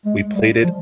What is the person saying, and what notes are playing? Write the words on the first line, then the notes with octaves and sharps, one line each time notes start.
We played it
G#3
G3
F3